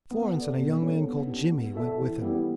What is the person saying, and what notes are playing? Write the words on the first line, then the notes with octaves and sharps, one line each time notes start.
And Florence and a young man called Jimmy went with him.
B3
F#4 A4 D5
B2
G3 D4 A4 C#5
B3
D4 G4
B3
F#4 A4 E5
E3
G3 B3 E4 G4